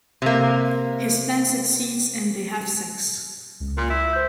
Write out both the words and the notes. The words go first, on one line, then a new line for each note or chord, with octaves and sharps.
His plan succeeds and they have sex.
C3 A#3
C#2
A#2
E4
C5 G6